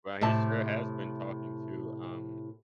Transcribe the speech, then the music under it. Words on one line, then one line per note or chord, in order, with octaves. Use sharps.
Well, he sure has been talking to, um
A2 C3 E5 A5